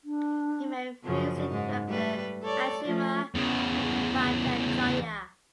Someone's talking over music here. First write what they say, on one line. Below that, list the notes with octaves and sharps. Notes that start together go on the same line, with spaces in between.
He married music director Ashima Bhattacharya.
D4
F#2 C#3 F3
G#2 D#4
G3 A3 B4
A4 C#5 D5
F3 A3 F4
E2 C#3